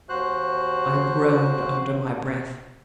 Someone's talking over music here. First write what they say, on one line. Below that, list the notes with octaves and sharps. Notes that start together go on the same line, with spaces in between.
I groaned under my breath.
D#2 F#4 C5 F#6